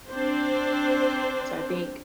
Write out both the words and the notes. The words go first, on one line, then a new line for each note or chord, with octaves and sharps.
So, I think
C4 D4 C5